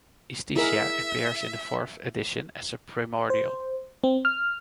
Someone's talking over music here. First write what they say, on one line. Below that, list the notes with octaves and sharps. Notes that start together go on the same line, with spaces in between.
Istishia appears in the fourth edition as a primordial.
E4 G#4 A#4 E5
C5
C4
F6